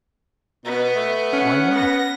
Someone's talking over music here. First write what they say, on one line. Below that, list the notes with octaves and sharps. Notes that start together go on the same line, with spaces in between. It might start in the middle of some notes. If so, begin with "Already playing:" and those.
Why not?
B2 B3
A3
C#4 F#5
B3 A#6